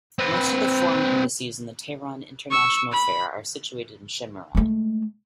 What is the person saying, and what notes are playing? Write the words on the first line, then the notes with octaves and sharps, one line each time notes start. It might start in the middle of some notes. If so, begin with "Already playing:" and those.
Most of the foreign embassies and the Tehran International Fair are situated in Shemiran.
C4 B4
C#6 E6
B5
G#3 A3